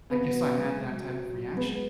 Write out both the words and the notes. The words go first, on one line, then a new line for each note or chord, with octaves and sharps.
I guess I had that type of reaction.
B3
F#3
G#3
F#3
G#3 B3